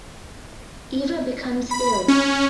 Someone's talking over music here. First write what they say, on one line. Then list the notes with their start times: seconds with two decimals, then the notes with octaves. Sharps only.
Eva becomes ill.
1.71 B5
2.08 C#4